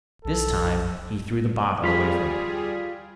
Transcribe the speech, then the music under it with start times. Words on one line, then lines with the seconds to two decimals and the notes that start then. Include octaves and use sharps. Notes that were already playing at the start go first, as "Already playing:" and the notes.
This time he threw the bottle away from it.
0.25 B1 A4
1.84 G3 F4 G#4 B5